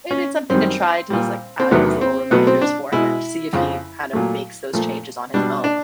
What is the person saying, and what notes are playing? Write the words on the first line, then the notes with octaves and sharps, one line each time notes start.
maybe it's something to try to just add those little reminders for him to see if he kind of makes those changes on his own.
C#4
F#2 D#3 G3 C4
A#2 G3
C4
E2 C3 D#3 F#3 A3 B3
C4
B2 F#3 A3 B3
C4
D4
B2 G#3 E4
F2 C#3 F3
A#2 F#3 A3
A#2 F3 A3
B2 G3 D4
D4